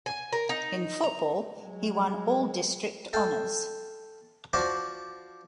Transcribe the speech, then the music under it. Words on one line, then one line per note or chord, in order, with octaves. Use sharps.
In football, he won All-District honors.
G#5
A#4
D#4
A#5
F#3 G#3
A4 F5 G5
F3 D4 F#4 C5 F5 D6